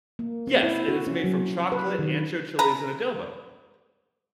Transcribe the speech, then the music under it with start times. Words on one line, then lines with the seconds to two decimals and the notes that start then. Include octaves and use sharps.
Yes, and it's made from chocolate, ancho chilies, and adobo,
0.19 A#3
0.47 C4
0.63 E4
0.88 F#4
1.07 C#4
1.24 F#3
1.72 B4
1.99 D#3
2.59 B4 A#5